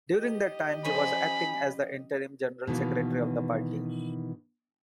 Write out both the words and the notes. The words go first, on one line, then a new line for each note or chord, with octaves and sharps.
During that time he was acting as the Interim General Secretary of the Party.
G4 D#5
F3 C#4 C5 G#5 B5
B2 D#3 E3 A#3